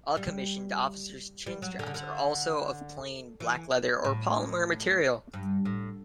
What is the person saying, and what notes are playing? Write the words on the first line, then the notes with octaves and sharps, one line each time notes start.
All commissioned officers' chinstraps are also of plain black leather or polymer material.
G3
G3
F#3
D3
C#3
D3
E3
A2
G2
A2